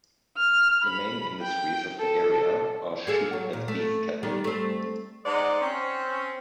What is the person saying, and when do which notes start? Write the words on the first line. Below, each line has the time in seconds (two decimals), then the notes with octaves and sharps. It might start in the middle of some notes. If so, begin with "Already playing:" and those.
The main industries of the area are sheep and beef cattle.
0.37 F6
0.84 B5
1.43 G5
1.99 A4
3.07 A#3 G#4 A4
3.33 F#3
3.53 A#2
3.68 A3
4.23 D#3 G3 B3
4.44 A3 C4
5.25 G#3 D#4 C5 D5 D#5 F#5
5.61 C4 C#4